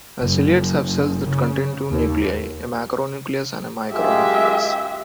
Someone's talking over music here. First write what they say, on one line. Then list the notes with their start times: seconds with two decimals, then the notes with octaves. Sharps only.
Ciliates have cells that contain two nuclei: a macronucleus and a micronucleus.
0.21 F#1
1.28 C#3
1.91 D#2
3.93 F#2 G#3 F4 G4 E5